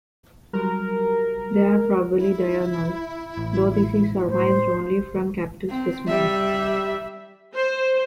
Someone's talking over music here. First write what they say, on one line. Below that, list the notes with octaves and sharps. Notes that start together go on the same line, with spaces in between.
They are probably diurnal, though this is surmised only from captive specimens.
F#3 G3 A#4
E4
A1
A2 C5
C4
G3 E5
C5